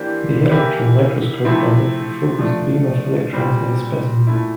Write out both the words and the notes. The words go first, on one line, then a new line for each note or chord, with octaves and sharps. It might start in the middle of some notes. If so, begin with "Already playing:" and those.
The electron microscope directs a focused beam of electrons at a specimen.
Already playing: E3 A#3 D4 G4 C5
E3 A#3 E4 G4
C3 F3 A3 C4 E4
F3 A3 D4
A#2 G3 C4
A#2 A3 E4